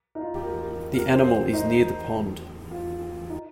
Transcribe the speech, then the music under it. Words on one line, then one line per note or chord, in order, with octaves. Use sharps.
The animal is near the pond.
D#4
F4
G4
A#4
G4
A#4
C5
C5
D#4
F4
D#4